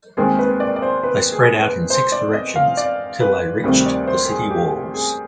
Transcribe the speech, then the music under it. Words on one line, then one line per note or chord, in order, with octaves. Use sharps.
They spread out in six directions till they reached the city walls.
D#2 D#3 G#3 C4 G#4
B4
D5
D5
C5
B4
G#4
B4
C5
D5
D#5
F5
D5
B4
D2 C3 D#3 G3 C4
D5
C5
G#4
G4
G#4